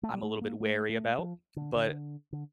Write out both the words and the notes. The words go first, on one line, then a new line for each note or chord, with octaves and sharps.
I'm a little bit wary about, but
A3
G3
A3
A#3
A3
A3
F3
D3
D3
D3